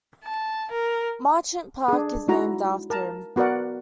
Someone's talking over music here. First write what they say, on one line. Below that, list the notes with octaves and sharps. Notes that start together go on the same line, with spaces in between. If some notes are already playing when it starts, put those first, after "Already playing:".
"Marchant Park" is named after him.
A5
A#4
D4 G#4
G#3 D#4 E4 F#4 A#5
A#4 A5 A#5
B3 F#4 A#4 D5 F#5